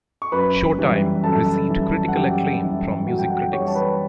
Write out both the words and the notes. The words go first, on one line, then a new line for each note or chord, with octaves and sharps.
"Showtime" received critical acclaim from music critics.
C#6
F#2 B4 B5
E3 G3
F#2 A4 A5
E3 G3
F#5
F#2 G4 G5
E3 G3
F#2 F#4 F#5
G5
F#4 F#5
E3 G3 C#5 C#6
A5
B4 B5